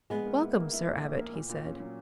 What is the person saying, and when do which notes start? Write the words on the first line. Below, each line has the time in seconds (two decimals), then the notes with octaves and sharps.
"Welcome, Sir Abbot!" he said.
0.10 A#1 G#3 B3
0.26 A#3
0.41 E4
0.57 A#3
0.73 E4
0.88 A#1
1.03 A#1
1.18 A#3
1.34 A#2
1.49 A#2
1.65 C#4
1.80 F#3